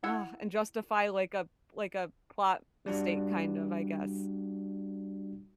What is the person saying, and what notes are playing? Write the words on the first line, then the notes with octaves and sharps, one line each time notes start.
uh, and justify like a like a plot mistake kind of, I guess.
E4 F#5 E6 G#6
G3 D4 F#4